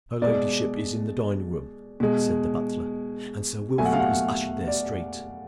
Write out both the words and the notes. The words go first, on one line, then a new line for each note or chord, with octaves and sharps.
"Her ladyship is in the dining-room," said the butler, and Sir Wilfrid was ushered there straight.
B2 G#3 D5
B2 G#3
B2 F#3 A3 G#5
F#5
F5
F#5
D5